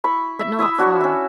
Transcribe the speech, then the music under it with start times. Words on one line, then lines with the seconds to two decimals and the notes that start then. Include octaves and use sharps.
But not far.
0.04 E4 B5 C#6
0.39 E5
0.59 E4 E5 D#6 E6
0.78 D4 F#4 C#5
1.01 C#4 E5